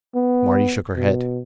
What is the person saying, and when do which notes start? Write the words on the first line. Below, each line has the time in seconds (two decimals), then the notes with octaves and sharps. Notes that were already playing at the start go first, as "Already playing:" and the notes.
Marty shook her head.
0.15 B3
0.96 B2